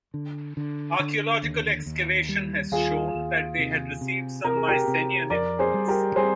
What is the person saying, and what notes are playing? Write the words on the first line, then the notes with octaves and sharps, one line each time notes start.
Archaeological excavation has shown that they had received some Mycenaean influence.
D3
D3
D3
D#2
D#2
G3
D#2 F4 G#4
D#2
C3
C3
C3 A#4
G#4
G4 A#4
C3
F2 A#4 D5
G#4 C5
G3
G4 A#4
G3 G#4 C5